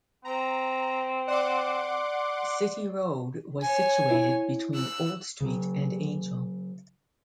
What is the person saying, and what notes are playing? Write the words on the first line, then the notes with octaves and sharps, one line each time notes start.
City Road was situated between Old Street and Angel.
C4 A#5
D5 F#5 C6 D6
C#5 G#5
E4
E6 F#6
C#3 F#3